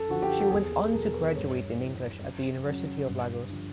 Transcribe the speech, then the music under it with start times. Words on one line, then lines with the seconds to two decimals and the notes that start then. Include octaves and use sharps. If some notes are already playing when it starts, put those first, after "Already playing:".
She went on to graduate in English at the University of Lagos.
Already playing: F#2 A4
0.09 D3 F3 F#4
0.22 G4
0.40 A4
0.50 E2 G#4
0.72 G#4
0.86 A4
0.93 B2 F#3 A#4
1.15 B4
1.35 G2 C#5
1.79 E3
2.21 F#2
2.64 C#3 F#3
3.06 G2
3.49 D3 F3